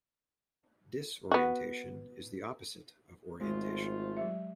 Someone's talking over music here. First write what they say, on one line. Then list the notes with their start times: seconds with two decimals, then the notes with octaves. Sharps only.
Disorientation is the opposite of orientation.
1.32 B3 F#4
3.40 G#1 F3 G#3 A3 F4
4.17 F#3 G4 E5